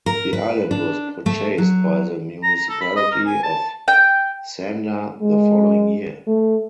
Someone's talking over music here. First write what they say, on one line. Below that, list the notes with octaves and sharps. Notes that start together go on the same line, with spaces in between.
The island was purchased by the municipality of Sandar the following year.
A#4
B4
D4
A3
F#3
A#5
A#5
A4
B5
D#5
A#4
G#5
A5
G5
G#3
A3